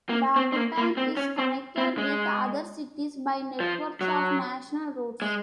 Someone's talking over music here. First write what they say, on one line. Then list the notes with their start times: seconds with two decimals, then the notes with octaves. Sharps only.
Dagupan is connected with other cities by networks of national roads.
0.09 A#3
0.36 C4
0.52 C4
0.56 A#3
0.78 A#3
0.97 C4
1.17 C#4
1.38 C4
1.78 C4
1.98 G#3
3.60 F3
4.01 F#3
5.22 G#3